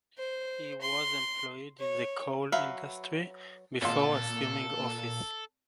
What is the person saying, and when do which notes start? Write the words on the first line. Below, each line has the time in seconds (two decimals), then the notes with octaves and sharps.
He was employed in the coal industry before assuming office.
0.18 C5
0.81 C6
1.79 C#5
2.52 F#3 B4 E5 F5
3.82 G#1 A#2 F4 A4 C6